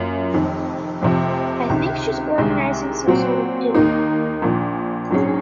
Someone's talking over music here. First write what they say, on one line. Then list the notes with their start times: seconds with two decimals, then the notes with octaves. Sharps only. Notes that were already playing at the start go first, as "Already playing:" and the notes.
I think she's organising some sort of do.
Already playing: F#2 A#3 F4
0.34 F1 F2 D#3
1.02 F1 F2 C3 F3
1.69 C#2 C3 D#3
2.38 C2 C3 D#3 G#3
3.06 A#2 F#3 C4 F#4
3.74 D#2 D#3 A#3 D#4
4.42 A#1 A#2 F3
5.11 A#1 G#2 F#3 C#4 G#4